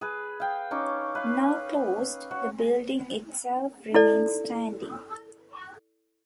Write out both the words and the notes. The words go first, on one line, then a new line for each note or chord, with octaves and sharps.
Now closed, the building itself remains standing.
G#4 B4
F5 G5
C#4 D#4 C#6 D6
B4 F5
F#4 C#5
E4 A4 D5